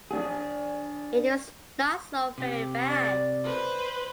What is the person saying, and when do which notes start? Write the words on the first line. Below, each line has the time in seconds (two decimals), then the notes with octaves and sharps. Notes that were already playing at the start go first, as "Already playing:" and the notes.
It was not so very bad.
0.11 D4 G#4
2.38 C3 G4
2.90 D5 A6
3.44 B4 C5